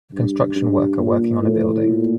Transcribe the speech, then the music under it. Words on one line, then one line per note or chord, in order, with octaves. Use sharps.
A construction worker working on a building.
G2
G2
A#2
A2
A#2